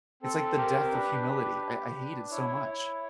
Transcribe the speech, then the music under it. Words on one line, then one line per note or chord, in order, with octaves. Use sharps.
it's like the death of humility, I I hate it so much.
C4 A4
G4 A#4
D4 B4
G4
G4
D4
E4 C#5
E4